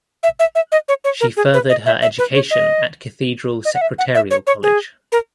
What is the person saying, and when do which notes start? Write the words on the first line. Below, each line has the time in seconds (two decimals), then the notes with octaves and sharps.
She furthered her education at Cathedral Secretarial College.
0.23 E5
0.39 E5
0.55 E5
0.72 D#5
0.88 C#5
1.04 C#5
1.21 A#4
1.37 G#4
1.54 B4
1.69 D#5
1.86 E5
2.02 E5
2.18 B4
2.35 C#5
2.51 D#5
3.65 D#5
3.75 F#5
3.81 E5
3.98 F#5
4.15 E5
4.30 C#5
4.47 C#5
4.63 G#4
5.12 A#4